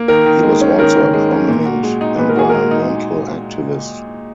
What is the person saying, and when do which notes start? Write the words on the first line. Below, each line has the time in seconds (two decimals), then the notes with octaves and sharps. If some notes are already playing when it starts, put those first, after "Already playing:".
He was also a prominent environmental activist.
Already playing: A#3
0.08 D#3 A#4
0.26 D#3
0.43 G#3
0.61 C#4
0.78 D#3 A#4
0.96 D#3
1.13 G#3
1.31 C#4
1.48 A#2
1.66 F#4
1.83 G#3
2.01 D#4
2.18 A#2 B4
2.29 A#4
2.36 F#4 G#4
2.49 G#3 A#4
2.71 D#4